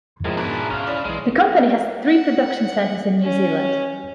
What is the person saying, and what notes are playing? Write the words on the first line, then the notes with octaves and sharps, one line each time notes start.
The company has three production centres in New Zealand.
A2 C#3 F3 G#3 A#4
G#2 B2 D4 E4
G#4 A5 A#5
C#4 F5
E4 C#5 D5 B5
B1 E3 G#3
F#5
C#4